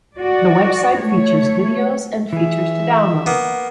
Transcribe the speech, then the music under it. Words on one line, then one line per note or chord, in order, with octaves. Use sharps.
The website features videos and features to download.
F#4 D5
A3 C#5
E3 G#4 E5
A#3 B3